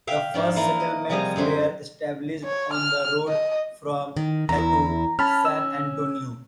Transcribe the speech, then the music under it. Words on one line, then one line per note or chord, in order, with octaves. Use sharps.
The first settlements were established on the road from Laredo to San Antonio.
E5 F5 G5
G#2 F3 D4
E3 A#3 E4 A#4
D#5
C3 F3 G3 G#4 D#5 A#5
F#2 D3 C5 E5
C#5
F6
D#5
D#3
E2 E4 A#5
C#4 A5 B5 F6
E6